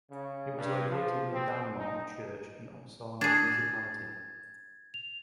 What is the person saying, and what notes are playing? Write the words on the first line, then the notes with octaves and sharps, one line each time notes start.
It was located near Danmark Church in Uppsala Municipality.
C#3
G2
F3
C4
D#4
D4 G#4 G#6 A6
F7